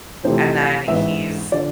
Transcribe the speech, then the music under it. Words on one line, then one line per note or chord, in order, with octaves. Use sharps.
and then he's
F2 C3 E3 A3 C5
A1 G#2 E3 B3 E5
D3 F3 D5